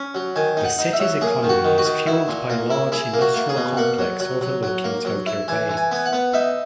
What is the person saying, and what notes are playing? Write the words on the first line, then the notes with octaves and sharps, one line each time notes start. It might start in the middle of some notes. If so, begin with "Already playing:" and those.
The city's economy is fueled by a large industrial complex overlooking Tokyo Bay.
Already playing: C#4
F#3
D#3 G#5
D#4
F#5
D#4
E5
F#3
A#3 G#4
D#3
F#4
D#3
F#4
D#3
E4
A#2
A#3
E4
E4 G#4
A#3
F#4
A#3
G#4
B2
A#3 F#5
F#3
F#3
F#3
F#3
A#3
F#3
E4
E3 G#5
E3
G#5
B3 G#5
F#5
B3
D#4 E5